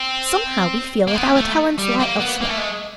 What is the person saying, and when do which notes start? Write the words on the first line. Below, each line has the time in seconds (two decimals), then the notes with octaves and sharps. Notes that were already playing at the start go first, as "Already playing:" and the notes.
But somehow we feel that our talents lie elsewhere.
Already playing: C4
1.08 A#3
1.15 B3
1.36 A3
1.78 G3
2.00 A#3
2.20 B3
2.41 A#3
2.50 A3
2.58 G#3